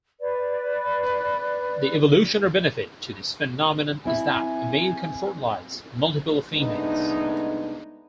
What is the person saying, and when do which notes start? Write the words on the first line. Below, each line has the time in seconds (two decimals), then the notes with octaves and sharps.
The evolutionary benefit to this phenomenon is that a male can fertilize multiple females.
0.20 B4 D5
4.05 C4 E4 G#5
6.54 C2 G#3 A3 B3 D4 D#4